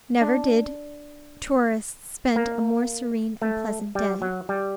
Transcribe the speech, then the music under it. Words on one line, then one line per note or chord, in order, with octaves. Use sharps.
Never did tourists spend a more serene and pleasant day.
D4
A#3
A3
G3
F#3
G3